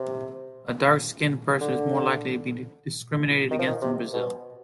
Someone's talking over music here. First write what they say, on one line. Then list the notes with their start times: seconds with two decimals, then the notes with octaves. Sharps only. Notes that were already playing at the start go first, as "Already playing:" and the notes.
A dark-skinned person is more likely to be discriminated against in Brazil.
Already playing: C3
1.61 D3
3.51 D#3
3.59 F3
3.67 D#3
3.82 C3
4.13 B2